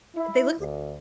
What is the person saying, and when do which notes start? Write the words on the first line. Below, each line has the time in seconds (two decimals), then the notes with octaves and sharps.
They look like
0.15 E4
0.58 D2